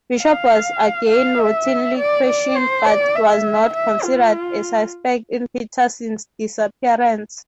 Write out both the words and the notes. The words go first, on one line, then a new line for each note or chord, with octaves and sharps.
Bishop was again routinely questioned, but was not considered a suspect in Peterson's disappearance.
F5
F5
E5
D5
D5
C5
D5
E5
E5
F4